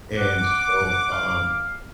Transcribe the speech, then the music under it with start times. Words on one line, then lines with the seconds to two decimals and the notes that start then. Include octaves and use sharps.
and so, um,
0.18 F#5 D6
1.12 F5